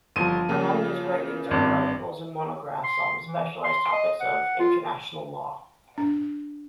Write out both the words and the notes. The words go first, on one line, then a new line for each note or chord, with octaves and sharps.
Among his writings are articles and monographs on the specialized topics of international law.
G1 F3 C6 D#7
C#3 A#3 F4
G#1 G2
C6
E3
C6
D#5
F#5
F4
D4